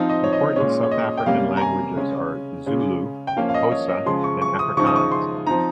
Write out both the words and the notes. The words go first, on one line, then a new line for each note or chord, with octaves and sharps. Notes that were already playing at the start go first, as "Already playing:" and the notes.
Important South African languages are Zulu, Xhosa and Afrikaans.
Already playing: F3 C4 D#4 F5
D#5
C#5
D#5
A#2 G#3 C#4 C#5
C#5
D#5
G5
C3 G3 A#3 C#4 F5
A#5
G#5
C#3 G#3 C#4
C#3 G#3 C#4
G5
F3 A#3 C#4 F5
F5
D#5
C#5
D#5
C#3 F3 G#3 C6
C#6
C#6
D#6
C#3 F3 G#3 D#4 C#6
D#6
C#6
C6
F3 C4 D#4 A#5